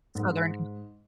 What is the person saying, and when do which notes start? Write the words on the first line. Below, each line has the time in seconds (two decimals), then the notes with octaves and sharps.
Southern C
0.15 G#2